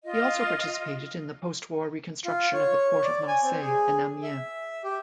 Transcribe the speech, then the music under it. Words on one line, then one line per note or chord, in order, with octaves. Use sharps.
He also participated in the postwar reconstruction of the port of Marseille and Amiens.
F4 D#5
F4
C#5
D5
G#5
C4
G#4
E5
G4